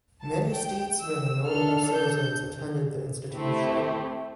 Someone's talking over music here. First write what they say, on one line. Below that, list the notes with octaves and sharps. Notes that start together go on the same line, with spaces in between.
Many statesmen and notable citizens attended the institution.
A5
G5
E6
D4 A4 F6
G6
A3 C4 E4 G4